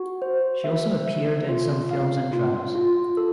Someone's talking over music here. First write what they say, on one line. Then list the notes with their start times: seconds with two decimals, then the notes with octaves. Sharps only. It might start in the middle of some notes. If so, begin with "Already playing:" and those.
She also appeared in some films and dramas.
Already playing: F#4
0.22 C5
0.64 E5
1.06 E5
1.49 F4
1.91 F5
2.33 F4
2.75 F4
3.17 A4